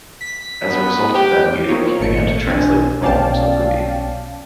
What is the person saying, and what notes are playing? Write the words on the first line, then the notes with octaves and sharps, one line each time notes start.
As a result of that meeting, he began to translate the poems of Rumi.
B6
B3
G4 G5
A#3 C4 D#4 F4 C#5
G#1 A#2 A3 C#7
B1 C4 D4 G#5
B1 C#4 D5 F5 G5 A5